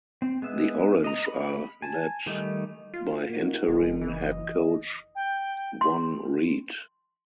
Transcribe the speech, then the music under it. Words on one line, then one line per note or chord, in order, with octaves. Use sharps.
The Orange are led by interim head coach Vonn Read.
C4
G#3 B3 E5
D#5 A#5
B5
G#5 A5
D#3 G3 A3 D#4
F4 F5
A#3 D#4 F#4
F#1 G#3
E3 D#5
G5
C6